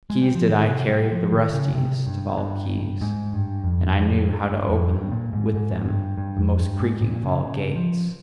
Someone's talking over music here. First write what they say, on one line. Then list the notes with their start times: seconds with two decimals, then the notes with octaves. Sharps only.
Keys did I carry, the rustiest of all keys; and I knew how to open with them the most creaking of all gates.
0.10 G#3
0.21 G3
0.35 F3
0.48 D#3
0.69 C3
0.90 G3
1.12 F3
1.23 F3
1.32 D#3
1.53 C#3
1.74 C3
2.07 G2
2.37 G2
3.01 G#2
3.33 G2
3.64 F2
3.96 F2
4.28 G2
4.49 G2
4.70 F2
4.91 G2
5.12 A#2
5.33 G#2
5.54 G#2
5.86 G2
6.18 G2
6.38 F2
6.59 G2
6.80 G#2
7.01 A#2
7.23 C#3
7.44 C#3
7.76 F3